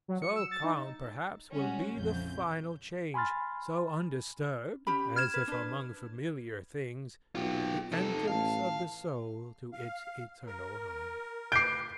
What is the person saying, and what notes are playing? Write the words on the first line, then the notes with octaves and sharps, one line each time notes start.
So calm, perhaps, will be the final change--so undisturbed, as if among familiar things, the entrance of the soul to its eternal home.
F#3
C#7
E6
A6
D#4
G3 G#3 C#4 F#4
A#1 F2 C#3 E3 G6
G#5 B5 C6 F6 A6
C#4 G4 B5
F6 G#6 E7
B4
D4 B4
B1 F4 G4
F1 D#4 A4
A1 F5 A5
F5
A#4
B4 D6 G6 C7 D7